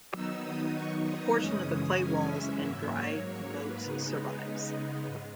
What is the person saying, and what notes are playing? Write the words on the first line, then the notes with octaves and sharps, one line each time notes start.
A portion of the clay walls and dry moats survives.
D#3 F#3 B3 D#4 E6
D#6
C#6
D#6
F#2 C#3 E3 G#3 C#4 D#6
D#6
G#5
E5
G#2 F#3 A#3 E5
C#5
C#5
B4
C#3 G#3 B3 D#4
G#2